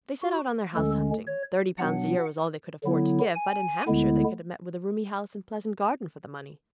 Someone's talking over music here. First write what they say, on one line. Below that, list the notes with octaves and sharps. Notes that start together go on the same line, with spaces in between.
They set out on their house-hunting. Thirty pounds a-year was all they could afford to give, but in Hampshire they could have met with a roomy house and pleasant garden for the money.
F#4
D2 D3 G#3 C#4 A4
C#5
B2 F#3 B3 D4 F#5
D3 F#3 B3 E4
G#5
D2 D3 G#3 B3 E4